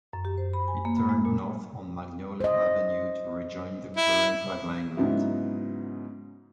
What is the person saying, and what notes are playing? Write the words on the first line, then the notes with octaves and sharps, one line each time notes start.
It turned north on Magnolia Avenue to rejoin the current alignment.
F#2
G4
C5
B5
G#5
A#3
B5
G#3
A#2
C5 D#5
E4
G#2 C#3 F#3 B3 D#4 E4